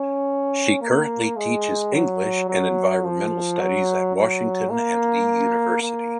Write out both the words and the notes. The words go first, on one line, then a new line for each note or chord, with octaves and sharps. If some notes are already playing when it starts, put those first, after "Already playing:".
She currently teaches English and Environmental Studies at Washington and Lee University.
Already playing: C#4
A#3
G#3
F#3
F#3
F3
F#3
F#3
A#3
A#3